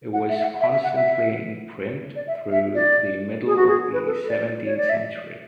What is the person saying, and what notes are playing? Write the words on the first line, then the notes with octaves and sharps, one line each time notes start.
It was constantly in print through the middle of the seventeenth century.
F#5
E5
E5
F#5
E5
E5
F#5
E5
D5
E5
E5
D5
G#4
F#4
G#4
B4
A4
D5
C#5
D5
E5